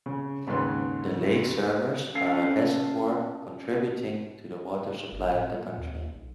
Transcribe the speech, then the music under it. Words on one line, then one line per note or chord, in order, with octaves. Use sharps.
The lake serves as a reservoir contributing to the water supply of the country.
C#3
D#2 G#2 C#3 B4 C6
C#4 A4 F5
G1
A2
A#2
D#2
D#2
B1